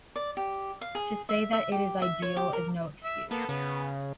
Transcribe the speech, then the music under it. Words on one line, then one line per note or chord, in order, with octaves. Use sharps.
To say that it is ideal is no excuse.
D5
G4
F5
G#4
E5
E5
G4
E5
C#5
G4
A#4
E5
A#3 B3 A4
C#3 B3